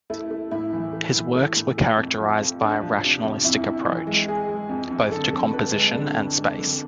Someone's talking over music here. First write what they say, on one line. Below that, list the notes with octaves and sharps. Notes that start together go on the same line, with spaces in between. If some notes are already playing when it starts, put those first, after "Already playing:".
His works were characterized by a rationalistic approach, both to composition and space.
A3 E4
A3
A2 E4
E3
A3
E3
A3
A2
A3
F2
F3
A3
A3 D4
F3
C3
F2
F2 E4
F2
E3
G#3
G#3 G#4
G#3
F2
F2
D3 A4
D3
F2 B4
G#3
D3 D4
F2
G#3
D3